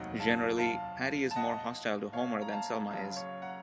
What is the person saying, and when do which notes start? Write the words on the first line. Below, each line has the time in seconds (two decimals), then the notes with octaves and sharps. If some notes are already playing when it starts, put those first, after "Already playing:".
Generally, Patty is more hostile to Homer than Selma is.
Already playing: F1 D#2 D#3 F#3 D#5 F#5
0.20 F5 A5
0.58 F5 A5
1.31 A5
1.36 D#5 F#5
2.13 C#5 F5
2.42 A#5
2.52 F5 A5
2.90 F#1 F#2 C#3 F#3 F5 A5
3.16 C#5 F5
3.42 F#5 A#5